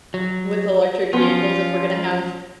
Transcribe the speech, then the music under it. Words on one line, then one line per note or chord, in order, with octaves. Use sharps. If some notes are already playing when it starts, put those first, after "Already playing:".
with electric vehicles if we're gonna have
F#3
F3 B3 C#4 F4